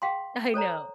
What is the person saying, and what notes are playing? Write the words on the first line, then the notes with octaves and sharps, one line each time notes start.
I know.
G#4 F5 G5 C6
A4 C5 C#5 A#5